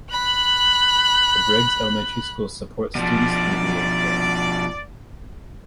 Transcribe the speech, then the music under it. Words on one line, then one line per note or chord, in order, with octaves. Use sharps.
The Briggs Elementary School supports students through the eighth grade.
B5 F#6
B2 F3 D5